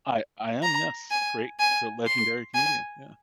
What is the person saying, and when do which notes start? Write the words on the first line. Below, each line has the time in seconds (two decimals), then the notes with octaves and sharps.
I I am, yes, great, gre legendary comedian, yeah.
0.63 A#5
1.11 G#5
1.60 G#5
2.07 C6
2.55 G#5